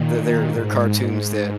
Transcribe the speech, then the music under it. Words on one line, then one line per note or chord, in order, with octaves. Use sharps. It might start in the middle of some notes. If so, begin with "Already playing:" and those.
They they're they're cartoons that
Already playing: A#2 D#3
A#2
G#2